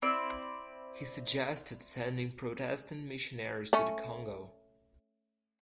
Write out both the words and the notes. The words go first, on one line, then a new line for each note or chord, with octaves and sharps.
He suggested sending Protestant missionaries to the Congo.
C4 E4 D5
A3 C#4